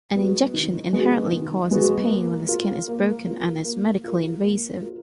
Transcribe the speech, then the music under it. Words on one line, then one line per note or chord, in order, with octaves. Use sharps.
An injection inherently causes pain when the skin is broken and is medically invasive.
G#3 B3 F#4
D#3
G#3 B3 F#4
D#3
G#3 B3 F#4
A#3
F4 A#4
A#3
F4 A#4
A#3
F4 A#4
A#3
F4 A#4